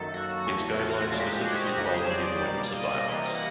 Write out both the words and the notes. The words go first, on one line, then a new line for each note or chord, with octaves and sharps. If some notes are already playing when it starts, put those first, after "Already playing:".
Its guidelines specifically called for the avoidance of violence.
Already playing: F#2 D#3 F#3 A#3 A4
F#4
E2 C#3 E3 A3
F4
F#4
F#4
A#2 F3 G#3 C4 F#4
G4
F#4
G#4
G4
F#4
F2 C#3 F#3 B3 F#4
G4
G#4
C5
D5
B2 G3 A#3
D#5
C3 E3 G3 A#3 D#5
F#5